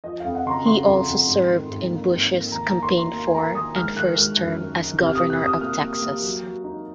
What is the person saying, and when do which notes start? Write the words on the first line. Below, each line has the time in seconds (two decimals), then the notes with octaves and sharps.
He also served in Bush's campaign for and first term as Governor of Texas.
0.04 F3 D#5
0.20 F2 F5
0.35 F#5
0.46 C#3 C6
0.50 A#5
0.66 C#3 C6
0.86 F2
1.07 F2
1.28 G#2
1.48 D#3
1.69 G#2
1.90 A#3
2.11 G#2
2.31 A#3
2.52 D#3 A#5
2.67 A#5
2.72 A#3
2.83 C6
2.93 D#4 C6
3.13 A#3
3.27 G#5
3.34 A#3 A#5
3.55 D#3 D#6
3.76 G#3 F6
3.95 D#3 F#6
4.16 G#3 F6
4.37 F#2
4.59 D#3
4.79 D#4
4.99 C3
5.06 F6
5.15 C3 D#6
5.30 F#6
5.40 C3 D#6
5.61 A#3 F6
5.81 A#3
6.02 A#3
6.22 F#3
6.43 F#3
6.64 D#4